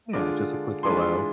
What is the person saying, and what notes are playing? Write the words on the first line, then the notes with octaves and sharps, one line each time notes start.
Yeah, just a quick "hello".
D3 G#3 D4 F4 D6
E3 G#3 D4 F4 C6
C6